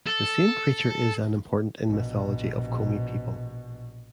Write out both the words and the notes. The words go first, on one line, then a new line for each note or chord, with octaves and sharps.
The same creature is an important in mythology of Komi people.
A4
A#1 B2